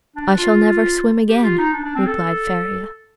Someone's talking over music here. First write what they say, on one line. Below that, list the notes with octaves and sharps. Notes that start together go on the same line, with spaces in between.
"I shall never swim again," replied Faria.
D4
F4
G4
F4
D#4
D4
D4
C4
A4